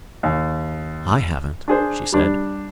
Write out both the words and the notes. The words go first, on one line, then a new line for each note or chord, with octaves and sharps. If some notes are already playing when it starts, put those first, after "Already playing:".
"I haven't," she said.
D#2
D4 G#4 C5
G3 D4